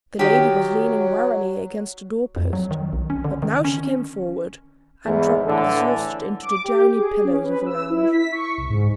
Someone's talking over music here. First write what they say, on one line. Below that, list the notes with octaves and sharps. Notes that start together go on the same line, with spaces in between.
The lady was leaning wearily against the door-post, but now she came forward, and dropped exhausted into the downy pillows of a lounge.
D#3 F#3 G4
F2
F#3
D#3
B1
C#4
D3
D#3
C#4
E2 G#2 E3
A2 D3 E3 A4
D6
G4
G#4
C#4
B4
E6
E4
B6
C#6
C2
G#2